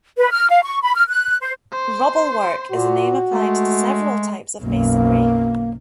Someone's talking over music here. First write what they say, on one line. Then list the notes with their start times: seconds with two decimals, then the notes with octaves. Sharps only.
"Rubble-work" is a name applied to several types of masonry.
0.17 B4
0.30 F6
0.49 F5
0.62 C#6
0.82 B5
0.95 F6
1.08 F#6
1.41 C5
1.72 C5 C6
2.72 A#2 F#4
3.32 G#3 A3
4.62 B1 F#2 A#3